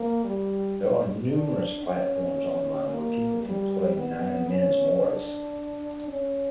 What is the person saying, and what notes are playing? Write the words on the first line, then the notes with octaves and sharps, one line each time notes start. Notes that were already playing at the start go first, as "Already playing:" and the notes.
There are numerous platforms online where people can play nine men's morris.
Already playing: A#3
G3
D4
C#4
A#3
G3
B3
C#4
D4
C#4